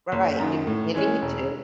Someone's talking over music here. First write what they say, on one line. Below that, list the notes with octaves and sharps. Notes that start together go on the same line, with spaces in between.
Right, you you need to,
F#1
F#2 D#3
A2
E3 G#3 C#4
E1